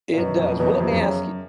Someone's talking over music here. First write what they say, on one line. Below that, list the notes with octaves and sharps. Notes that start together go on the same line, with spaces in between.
It does, well, let me ask y
A#2
F#2 B2
F2
E2 B2
E2
F2 C3
F#2
C#3